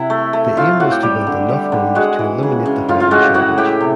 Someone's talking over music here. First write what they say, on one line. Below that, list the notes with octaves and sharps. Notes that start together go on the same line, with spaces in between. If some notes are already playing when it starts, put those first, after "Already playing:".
The aim was to build enough homes to eliminate the housing shortage.
Already playing: C3 E4 E5 F#5
A3
A3
A2 F4 F5
A2 F#4 F#5
G4 G5
G3 G4 G5
D3
G3
D3
G#3 F#4 F#5
E3
C#3
C#3
A2 F4 F5
F4 F5
G#3 F#4 F#5
G4 G5
A2 F#4 F#5
A2 G4 G5
C3